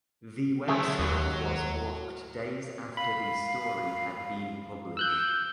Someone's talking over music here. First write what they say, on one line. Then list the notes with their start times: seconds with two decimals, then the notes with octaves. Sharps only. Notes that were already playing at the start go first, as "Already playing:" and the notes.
The website was blocked days after the story had been published.
0.68 F#3 A3 E4 G#4 C5
0.99 D#2 F#3
2.97 F5 B5
4.97 E6 F#6 G6